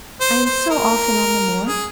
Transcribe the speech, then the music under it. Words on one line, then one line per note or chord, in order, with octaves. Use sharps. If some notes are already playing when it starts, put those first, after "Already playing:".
I am so often on the moor.
C5
C5
A#4
G#4